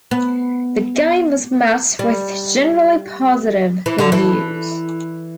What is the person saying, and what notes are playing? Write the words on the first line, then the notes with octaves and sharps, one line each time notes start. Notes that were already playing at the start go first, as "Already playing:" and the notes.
The game was met with generally positive reviews.
B3
G3
E3
D3
E3